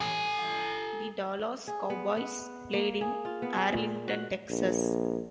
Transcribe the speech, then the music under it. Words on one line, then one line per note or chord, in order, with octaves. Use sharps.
The Dallas Cowboys play in Arlington, Texas.
A4 G#5
G#4
B3
B3
A#3
G#4
F4
B3
G#4
A#2
F#4
A#1